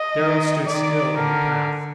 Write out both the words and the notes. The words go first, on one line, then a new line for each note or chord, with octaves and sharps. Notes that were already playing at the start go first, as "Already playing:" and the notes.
Darrow stood still in the path.
Already playing: D#5
D#3
D#3 D5
D3 A#4